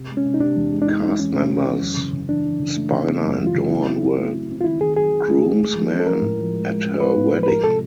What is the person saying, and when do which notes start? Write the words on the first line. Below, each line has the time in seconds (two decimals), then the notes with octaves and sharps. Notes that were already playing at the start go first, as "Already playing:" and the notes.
Cast members Spiner and Dorn were groomsmen at her wedding.
Already playing: C3
0.09 G#3
0.17 C#4
0.25 C3
0.34 D#4
0.40 C3 D4
0.57 E2
0.72 G#3
0.82 D4
0.87 G#3 D#4
1.03 E3 D#4
1.19 E3 C#4
1.34 C3 C#4
1.51 E3
1.65 E3
1.82 F#2
1.97 C#3
2.13 C#3
2.29 E3 D4
2.45 E3
2.60 C#3
2.76 A3
2.92 C#3
3.07 A3
3.24 F#2
3.39 E3
3.47 F4
3.55 C#3
3.70 F#3 E4
3.86 C4
4.02 F#3
4.17 A3
4.33 C4
4.49 C4
4.60 F4
4.64 D#3 E4
4.81 D#3 G#4
4.96 F#3 G#4
5.11 D#3
5.28 A3
5.43 A3
5.60 G#3
5.75 F3
5.91 C#4
6.00 A4
6.06 F3 A#4
6.21 A2
6.38 F3
6.54 G#3
6.69 G#3
6.86 C#4
7.01 F3 B4
7.16 A2
7.33 F3
7.43 B4
7.47 G#3 A#4
7.64 C3 A4